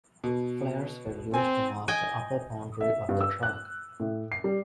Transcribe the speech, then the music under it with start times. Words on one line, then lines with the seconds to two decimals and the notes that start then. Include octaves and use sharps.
Flares were used to mark the upper boundary of the track.
0.24 B2
1.34 C4 G#5
1.88 D#5 G5 G#5
2.81 E5
3.09 G2
3.21 E6
3.43 F#6
4.00 A2
4.32 C7
4.44 G3